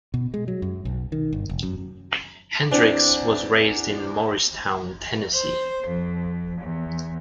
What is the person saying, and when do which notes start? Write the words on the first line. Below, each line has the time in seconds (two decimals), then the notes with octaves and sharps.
Hendrix was raised in Morristown, Tennessee.
0.14 B2
0.34 G#3
0.48 F#3
0.62 F#2
0.85 B1
1.12 D#3
1.33 G1
1.49 F1
1.63 F#2
2.71 E2 C4 D4
5.34 C5
5.88 F2
6.61 E2